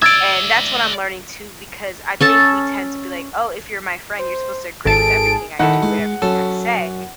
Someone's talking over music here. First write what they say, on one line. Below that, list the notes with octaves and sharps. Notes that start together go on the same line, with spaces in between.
and that's what I'm learning too, because I think we tend to be like, "Oh, if you're my friend, you're supposed to agree with everything I do and everything I say."
D5 E5 E6 G#6 A6 D7
C#4 A4 A5
C5
G#1 G#4 A4 A5 D7
D#3 D#4 E4 A4 F#5
G#3
F#2 C#4 A4